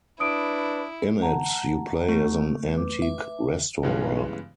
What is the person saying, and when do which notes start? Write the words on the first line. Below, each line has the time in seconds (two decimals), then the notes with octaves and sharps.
In it you play as an antique restorer.
0.20 D4 E4 B4 D#6 D7
1.22 F#5 A5 A#5
2.09 A3
2.75 B4 D6
3.02 E5
3.83 G2 C#3 E3 G#3 B3